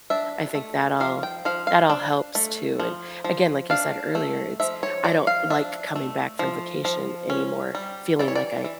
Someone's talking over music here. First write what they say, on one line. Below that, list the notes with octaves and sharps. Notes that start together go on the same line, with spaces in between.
I think that all that all helps, too, and, again, like you said earlier, it's I don't like coming back from vacation anymore feeling, like, I
D4 E5
A3
F3 F5
G5
F3 F5
F5
D4
A3
F3
F3
D4 F5
A3
F3 E5
C#5
F3 D5
F5
D4 E5
A3
F3
F3
C#4
G3
E3 D5
C#5
D5
E3